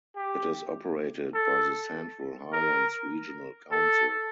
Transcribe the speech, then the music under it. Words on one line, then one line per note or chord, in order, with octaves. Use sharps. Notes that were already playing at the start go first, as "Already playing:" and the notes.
It is operated by the Central Highlands Regional Council.
G4
A4
A#4
A4